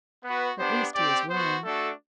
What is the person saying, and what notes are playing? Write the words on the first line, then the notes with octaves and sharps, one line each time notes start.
At least he is willing.
B3 F#4 B4
B3 D4 G4 C5
C4 G4 D5
B3 F#4 C5
A3 D4 F#4 A4